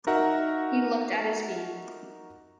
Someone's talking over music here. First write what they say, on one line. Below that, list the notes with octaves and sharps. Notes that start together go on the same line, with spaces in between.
He looked at his feet.
D#4 F#4 A#4 E5 F#5 A#5